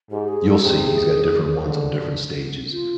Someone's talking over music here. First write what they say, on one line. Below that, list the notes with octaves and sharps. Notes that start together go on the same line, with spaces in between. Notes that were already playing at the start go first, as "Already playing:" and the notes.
You'll see, he's got different ones on different stages.
G#2 G4
G#4
A4
C3 G#4
G4
G#4
D3
F4